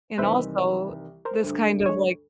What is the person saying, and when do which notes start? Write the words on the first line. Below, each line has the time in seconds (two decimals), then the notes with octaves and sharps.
And also, this kind of, like
0.18 C2 D#3 E3 B4 C5 E5
1.25 A#4 C5
1.43 D2 G2
1.86 G#3 C#5